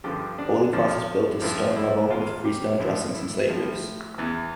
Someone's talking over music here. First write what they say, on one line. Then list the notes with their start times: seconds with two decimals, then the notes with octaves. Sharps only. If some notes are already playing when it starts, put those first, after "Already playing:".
Holy Cross is built of stone rubble with freestone dressings and slate roofs.
0.04 G2 D3 F3 G4
0.39 D4
0.73 E2 D3 F3
1.42 G2 F3 E4
1.76 E4
2.11 E2 E3 F4
2.45 G4
2.80 G2 D3 F3 E4
3.14 E4
3.49 A2 F3
4.18 E2 E3